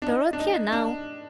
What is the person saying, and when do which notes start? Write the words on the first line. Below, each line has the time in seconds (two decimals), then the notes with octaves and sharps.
Dorothea, now.
0.02 D4
0.07 D#4
0.33 D4
0.40 D#4
0.73 D4